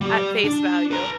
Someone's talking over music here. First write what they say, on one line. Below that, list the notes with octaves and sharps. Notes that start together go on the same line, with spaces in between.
At face value.
G3 G4
D4
B4 A#5